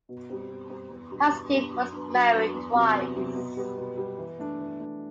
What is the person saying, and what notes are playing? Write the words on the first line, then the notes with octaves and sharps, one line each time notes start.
Haskin was married twice.
B2
G3 C4
B2
G3 C4
E2
B2 G3 D4
E2
B2 G3 D4
F#3
B3 D4
F#3
B3 D4
E2
C3 F#3
E2
C3 F#3
B2
G3 B3
B2
G3 B3
E3
A3 D4
E3
A3 D4